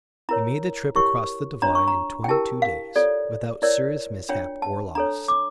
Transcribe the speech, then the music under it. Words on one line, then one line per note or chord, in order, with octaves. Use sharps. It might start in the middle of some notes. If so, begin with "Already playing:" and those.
We made the trip across the divide in twenty-two days without serious mishap or loss.
E4 A#4 C#5 A#5
E4 G4 A#4 C#5 C#6
D4 F4 C#5 A#5
C#6
A#5
G5
E4 G4 A#4 A5
F5
F4 A4 C#5 D5
E4 A#4 C#5 D5
D4 F4 C#5 G5
A5
D4 A4 C#5 A#5
D6